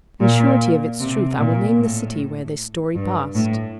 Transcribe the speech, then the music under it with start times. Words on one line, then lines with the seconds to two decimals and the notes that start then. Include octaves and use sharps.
In surety of its truth I will name the city where this story passed.
0.21 A#2
1.00 C3
1.39 A#2
1.77 A2
2.95 G2
3.35 A2